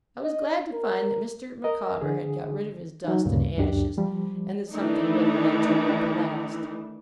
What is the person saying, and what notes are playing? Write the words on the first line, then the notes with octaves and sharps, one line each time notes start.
I was glad to find that Mr. Micawber had got rid of his dust and ashes, and that something really had turned up at last.
D#5
A#4
A#4 D#5
D3 G#4
F#3 D#4
D2 G2 A#2 C#3
C#2 F#2 D4 G4
F3 G3
D#3 E3 A3 D4 D#4